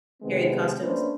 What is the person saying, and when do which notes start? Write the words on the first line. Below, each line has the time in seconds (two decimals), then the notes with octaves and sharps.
period costumes?
0.22 C3 D#3 G#3 B3 C4
0.79 A3 A#3 C#4 D4 B4 C5